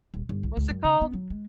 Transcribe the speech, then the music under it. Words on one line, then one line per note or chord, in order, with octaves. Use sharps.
What's it called?
D#1
G1
C2
C#2
F#2
C#3
B3
F#3
G#3